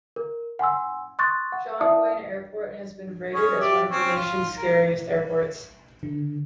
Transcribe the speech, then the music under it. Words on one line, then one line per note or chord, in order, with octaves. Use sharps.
John Wayne Airport has been rated as one of the nation's scariest airports.
A#4
F#5 G#5 C6 E6
C6 C#6 D#6 F#6 A6
F#5
E4 D5 E5 A5 D#6
C#4 G#4 C#5
G4 D5 E5
C4 C#4 C#5
F4
A#4
D3